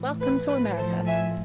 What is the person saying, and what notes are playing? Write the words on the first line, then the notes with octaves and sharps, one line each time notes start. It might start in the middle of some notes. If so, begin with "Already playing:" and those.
Welcome to America.
Already playing: A2 E3
B4
A2 F3 B4
A4 C5
E5 G#5